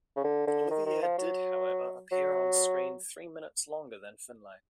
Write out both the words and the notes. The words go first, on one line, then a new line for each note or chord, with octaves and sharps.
Olivier did, however, appear on screen three minutes longer than Finlay.
C#3
D3
D3
D#3
D#3
F3
F#3
F#3